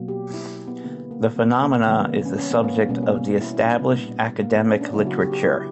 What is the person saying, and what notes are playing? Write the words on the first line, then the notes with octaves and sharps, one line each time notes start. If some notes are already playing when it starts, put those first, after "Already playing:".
The phenomenon is the subject of established academic literature.
Already playing: B2 F#3 A#3
G4
E4
B3
D3 A#3 B3
A#3
B3
A#3
C#3 E3 G3 A#3 B3
A#3
B3
C#4
C#4
B3
A#3
B3
B2 G3 A#3 C#4
A#3
B3
E4
E4
D4
B3
A#2 G3 A#3
A#3
B3
C#4
D4
C#3 F#3 A#3 E4
F#4
G4
G4
E4